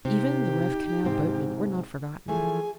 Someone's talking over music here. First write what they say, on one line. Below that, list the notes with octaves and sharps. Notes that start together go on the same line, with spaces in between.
Even the rough canal boatmen were not forgotten.
C3 C4 D#4 G4
G#2 C3 C4
E3 F3 A3 G#4 G#5